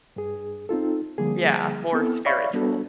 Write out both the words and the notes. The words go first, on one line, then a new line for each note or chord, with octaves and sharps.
Yeah, more spiritual.
G2 G#4
C4 D#4 F4 A4
D3 F3 G3 A#3 G#4
B3 C4 E4 A4
C#5 D5 E5 F5 B5 C#6
G3 B3 D4 F#4 A4